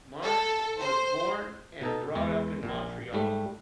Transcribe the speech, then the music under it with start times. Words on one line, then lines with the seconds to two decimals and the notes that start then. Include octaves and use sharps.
Marsh was born and brought up in Montreal.
0.23 A4
0.79 C5
1.81 B2 D#4 A4
2.15 E2 G#3
2.63 A#1 A#2
3.13 G#2 G3 A3